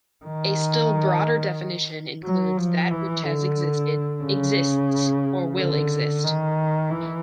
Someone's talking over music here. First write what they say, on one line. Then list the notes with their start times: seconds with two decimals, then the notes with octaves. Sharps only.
A still broader definition includes that which has existed, exists, or will exist.
0.25 D#3
2.24 F#3
2.57 F3
2.91 E3
3.24 D3
4.24 C#3
5.57 D3
6.23 D#3
6.90 E3